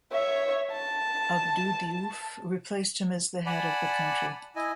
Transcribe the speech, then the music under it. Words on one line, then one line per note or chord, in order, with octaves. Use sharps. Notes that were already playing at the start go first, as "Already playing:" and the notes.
Abdou Diouf replaced him as the head of the country.
C#5 E5
A5
D5 F#5 G#5 A5 B5
E4 D#5 G#5